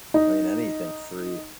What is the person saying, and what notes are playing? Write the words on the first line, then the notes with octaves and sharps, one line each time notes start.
I mean, anything free.
D#4